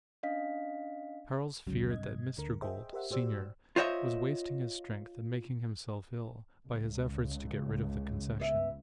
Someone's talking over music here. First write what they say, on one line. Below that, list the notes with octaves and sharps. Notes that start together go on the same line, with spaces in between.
Charles feared that Mr. Gould, senior, was wasting his strength and making himself ill by his efforts to get rid of the Concession.
C#4 D4 D#5 F5 B6
A1 D2 G#2 C#3 F#3
G2 C3 D#5 G#6
D2 D3 A#4
G#4 C5 D#5 E5 G5
G4 A#4 C5 E5 F#5
A2 F#4 G4 C5 D5 E6
F4 C5 C#5 D#5 E5
C#2
B3 D#5 E5